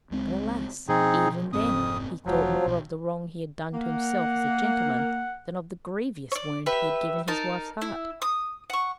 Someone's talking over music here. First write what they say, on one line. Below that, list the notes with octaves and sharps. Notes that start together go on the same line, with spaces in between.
But, alas! even then he thought more of the wrong he had done to himself as a gentleman than of the grievous wound he had given his wife's heart.
C#2 G#3 C4
B2 F3 C4 D#4 G#4
F1 F2 G#2 C4 D#6
F1 F3 F#3
B1 B2
A#3 F#5
C#5 D5
G4 B4 E5
D#4 A#4 A5
E4
D#6
F#5 C#6